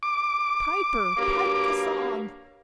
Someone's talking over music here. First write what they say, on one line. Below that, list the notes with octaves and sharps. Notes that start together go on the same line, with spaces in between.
Piper, pipe the song!
D6
G2 F#3 A#3